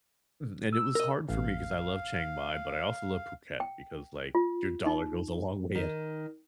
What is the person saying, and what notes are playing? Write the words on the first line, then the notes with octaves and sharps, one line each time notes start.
Mhm, and it was hard for me 'cause I love Chiang Mai, but I also love Phuket because, like, your dollar goes a long way at
E6
A#4 D#5
A1 F5
G5
F4
D#4
D#3